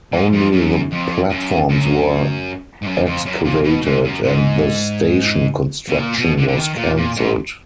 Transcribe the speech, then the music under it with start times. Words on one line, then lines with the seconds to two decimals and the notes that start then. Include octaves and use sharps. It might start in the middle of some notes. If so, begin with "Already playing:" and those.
Only the platforms were excavated, and the station construction was cancelled.
0.12 G#2
0.32 F2
0.52 F#2
0.91 F2
1.30 F#2
1.69 F#2
2.82 G#2
2.86 F#2
3.06 F2
3.25 F#2
3.44 A#2
3.64 B2
3.84 G#2
4.04 F#2
4.23 G#2
5.89 B2
5.98 A#2
6.18 B2
6.38 D3
6.48 D3
6.58 D#3
6.77 A#2
6.96 A#2
7.16 G#2